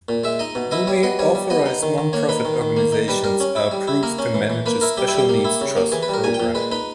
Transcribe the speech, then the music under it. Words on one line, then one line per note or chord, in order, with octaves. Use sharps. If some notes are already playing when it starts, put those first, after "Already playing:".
Only authorized non-profit organizations are approved to manage a special needs trust program.
A#2
G#3 E5
D#4 D#5
B2
E4 D#5
G3 C#5
B3 D#5
G3 C#5
G3
B3 D#5
D#4
D#3
D#3
A#3 C#5
D#4 B4
D#3
D#3
A#3
D#4
G3 B4
G3 A#4
C#4
E4
G3
E4
A#3 A#4
C#4
E3
E3
A#3 B4
E4 A#4
G3 G4
E4
G3 G4
A#3
E4
C#3
A#3
E3 G#4
B4
G3
A#4
A#2 G#5
G5
A#2
G#3 B4
D#4 B4